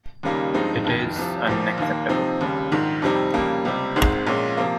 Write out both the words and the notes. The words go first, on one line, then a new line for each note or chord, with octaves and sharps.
It is unacceptable.
D#2 C#3 G3 A#3 D#4
G2 F3 G#3 C4 D#4
F1 F2 D#3
C2 C3 F3
A#1 A#2 F3
D#2 D#3 A#3
C3 F3 C4 D#4
D#2 C#3 G3
A#1 G#2 D#3
F2 C3 G3 C4 D#4
F2 C#3 G3 A#3
C#2 C3 G3 C4
G#1 G#2 D#3 G#3 C4
A#1 A#2 G#3 C#4
C3 F3 A#3